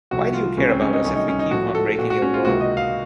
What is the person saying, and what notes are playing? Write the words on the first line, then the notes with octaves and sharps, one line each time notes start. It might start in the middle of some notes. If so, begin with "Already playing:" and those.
Why do you care about us if we keep on breaking your world?
C2 C3 F3 A3 F#4
F4
C#2 C#3 A3 C#4
C4
C#4
D#4
C2 C3 D#3 F#3 A3 C#4
D#4
C#4
D#4
A2 F3 A3 F#4
A4
A#2 A3 F#4
F#4
C#4
F4
C#2 C3 D#3 A#3 F#4
D#5
F5